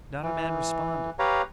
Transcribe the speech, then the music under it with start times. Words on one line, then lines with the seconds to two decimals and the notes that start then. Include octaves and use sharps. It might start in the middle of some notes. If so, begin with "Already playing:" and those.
Not a man responded.
0.22 E3
1.19 G4 B4 C#5 F5 A#5